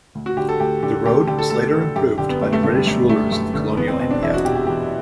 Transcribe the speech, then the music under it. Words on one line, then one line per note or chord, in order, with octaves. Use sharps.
The road was later improved by the British rulers of colonial India.
D2
F#4
D3 G4
A4
D2 G4
D3 G4
D2 G4
D3 G4
A4
D2 A4
D3
F#2 G4
D3 G4
B3
F#2 A3
A3
D3 A3
G3
F#2 A3
D3 A3
F#2 A3
D3 A3
E2 B3
C4
B2 C4
D4
E2 E4
F#4
B2 G4
G4
E2 G4